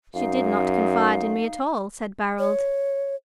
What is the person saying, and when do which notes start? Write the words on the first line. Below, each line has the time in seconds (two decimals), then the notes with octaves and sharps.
"She did not confide in me at all," said Barold.
0.15 F#2 D#4 F5
2.39 C#5